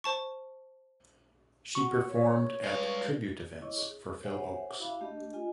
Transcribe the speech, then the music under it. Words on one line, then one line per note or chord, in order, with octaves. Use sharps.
She performed at tribute events for Phil Ochs.
C5 A5 C#6
F#4 C#6
C#5
G3 G#3 B4 F5
E4 C#5 D#5 C#6 D6
G#4
G4 C5 C#5 E5 F#5 G#5
E4 F#4 E5 F5 B5 D6
A3 D4 G4 D#5
F4 D#5 G#5